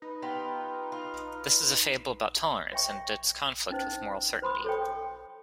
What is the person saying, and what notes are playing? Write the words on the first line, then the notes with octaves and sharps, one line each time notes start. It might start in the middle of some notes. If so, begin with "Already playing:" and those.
This is a fable about tolerance, and its conflict with moral certainty.
D#4 B4
B3 F4 G4
F4
C#5 E5 G5 C#6
C#4 D#4 C5
C5 B5 C6 D#6
A4 C#5 G5